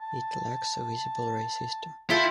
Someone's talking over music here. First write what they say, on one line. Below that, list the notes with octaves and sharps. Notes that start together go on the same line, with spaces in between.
It lacks a visible ray system.
A5
E4 F4 A4 G5